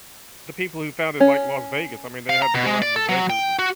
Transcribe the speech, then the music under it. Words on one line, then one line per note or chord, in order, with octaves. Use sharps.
the people who founded, like, Las Vegas, I mean, they had to go out in the desert and
C#4
F5
A#5
B2
G#3
D5
A4
F#3
G5
F#4